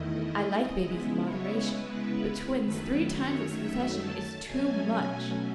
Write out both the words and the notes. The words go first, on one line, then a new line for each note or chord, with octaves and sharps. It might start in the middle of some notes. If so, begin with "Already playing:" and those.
I like babies in moderation, but twins three times in succession is TOO MUCH.
Already playing: E2 D#3 A3 E4 D#5
C#3 G#3 B3 E4
C#5
B4
F#2 D#3 F#3 A3 B4
C#5
E5
A5
B2 F#3 A3 C#4 G#5
G#5